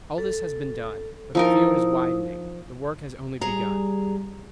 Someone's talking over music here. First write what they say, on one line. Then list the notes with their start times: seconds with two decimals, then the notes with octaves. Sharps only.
All this has been done, but the field is widening, the work has only begun.
0.18 A4
1.35 F3 D#4 E4 A#4 D#6
3.41 G3 G#4 A#5